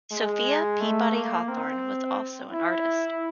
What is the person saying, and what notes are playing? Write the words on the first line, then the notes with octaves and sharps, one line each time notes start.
Sophia Peabody Hawthorne was also an artist.
G#3
A3
A#3
C4
E4